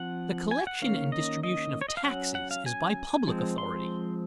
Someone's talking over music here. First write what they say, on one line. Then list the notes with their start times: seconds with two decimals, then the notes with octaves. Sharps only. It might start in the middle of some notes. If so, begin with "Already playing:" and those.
The collection and distribution of taxes is by public authority.
Already playing: F3 C4 F#5
0.51 G#5
0.67 F#5
0.82 D#3 A#3 C#4 F5
1.12 D#5
1.43 D#5
1.81 C#5
1.88 D#5
1.97 F5
2.04 F#3 C#4 F#5
2.35 F#5
2.51 F5
2.66 G#5
3.27 F3 G#3 C4
3.58 C6